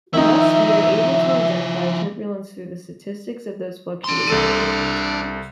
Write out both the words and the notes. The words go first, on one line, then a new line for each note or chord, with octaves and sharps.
Thus, we are able to identify turbulence through the statistics of those fluctuations.
D#3 F3 D#4 E4 E5
D4 C6
C2 A4 D#7